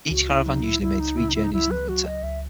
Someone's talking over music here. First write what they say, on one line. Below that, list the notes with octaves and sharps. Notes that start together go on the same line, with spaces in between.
Each caravan usually made three journeys in the winter.
C#2 F#4
E4
F#3 D#4
E4
C#2 E4
D#4
C#3 E4
D#4
E4
D#4
C#2 E4
B4
F#3 F#4
D#5
C#2 E5